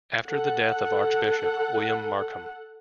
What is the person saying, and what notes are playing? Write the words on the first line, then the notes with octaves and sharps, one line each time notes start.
After the death of Archbishop William Markham.
A4 F#5